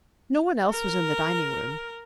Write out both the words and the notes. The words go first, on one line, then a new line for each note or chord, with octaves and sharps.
No one else was in the dining-room.
A#4